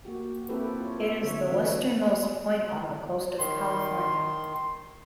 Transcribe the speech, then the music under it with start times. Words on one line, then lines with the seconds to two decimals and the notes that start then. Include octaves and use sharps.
It is the westernmost point on the coast of California.
0.05 A#3 F#4 G4
0.49 A#3 C4 E4 G4 A4 B4
0.80 F4 G4 C#5
1.00 E5
1.24 D3 C#5 E5
1.50 E3 G#3 B3 C#4 A4
3.39 D#3 C6